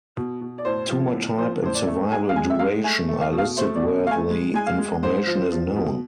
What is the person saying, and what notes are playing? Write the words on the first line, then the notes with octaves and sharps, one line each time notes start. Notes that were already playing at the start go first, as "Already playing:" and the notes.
Tumor type and survival duration are listed where the information is known.
B2
B2
D5
A2 C5
F3
A2
F3 C5
A2 C5
D5
A3
G#3 G#5
F5
G#3 G#5
E5
G#3 F5
A3 G#5
A3
F5
B2
F5
A3 C5
D5
B2
A3 F5 G#5
G#3
G#3 G#5
F5
G#3
G#2 C5
F3
F3
B2